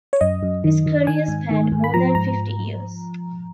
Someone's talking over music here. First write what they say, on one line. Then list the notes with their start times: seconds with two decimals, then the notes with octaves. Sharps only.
His career spanned more than fifty years.
0.13 C#5
0.21 F#2 D#5
0.43 F#2
0.64 D#3
0.86 D#3
1.07 D#3 G#5
1.28 G#2
1.51 D#3
1.72 G#2
1.84 B5
1.94 F3 A#5
2.15 G#2 A#5